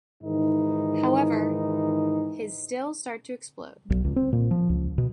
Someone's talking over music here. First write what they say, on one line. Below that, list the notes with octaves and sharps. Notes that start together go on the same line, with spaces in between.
However, his stills start to explode.
G#2 D#3 E3 D#4
B1
C#2
C4
A#2
F3
C#2
B2